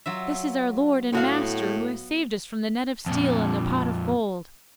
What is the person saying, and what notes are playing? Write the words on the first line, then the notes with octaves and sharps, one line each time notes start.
'This is our lord and master, who has saved us from the net of steel and the pot of gold!'
F#3 F4 E5
A2 B3 F#4 F5
F2 A#2